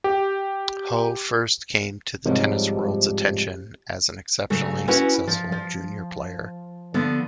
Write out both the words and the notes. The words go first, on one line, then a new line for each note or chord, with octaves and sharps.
Ho first came to the tennis world's attention as an exceptionally successful junior player.
G4
G#2 C3 F3 G3 G#3 C#5
C#3 F#3 A3
C#4 E4 F#4 B4 F#5
F3
F3
D3 F3 B3